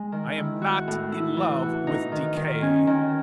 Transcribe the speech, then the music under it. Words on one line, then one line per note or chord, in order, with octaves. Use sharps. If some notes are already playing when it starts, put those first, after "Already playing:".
I am not in love with decay.
Already playing: G#3
D#3
E4
F#4
A2
E4
E3
F#4
D#4
D#3
D#3
C#4
D#3